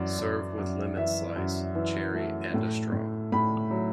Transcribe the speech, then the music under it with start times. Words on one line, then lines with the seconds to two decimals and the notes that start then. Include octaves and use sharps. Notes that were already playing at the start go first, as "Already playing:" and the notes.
Serve with lemon slice, cherry and a straw.
Already playing: F#2 E3 D5
0.19 F#2
0.58 F#2
0.97 E3 E5
1.36 F#2
1.75 E3
2.15 A3
2.54 A2
2.93 A2
3.32 A2 B5
3.71 F#3